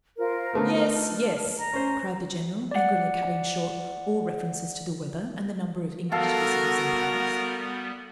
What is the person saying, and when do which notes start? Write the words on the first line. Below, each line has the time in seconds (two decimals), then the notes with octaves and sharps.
"Yes, yes," cried the General, angrily cutting short all references to the weather and the number of English visitors in Paris.
0.18 F4 A#4 C5
0.53 D3 A3 B3
0.92 A5 F6
1.59 A#5
1.73 C#4 C5
2.71 D5 F#5
6.12 G3 B3 F#4 A4 A#4 F5 A5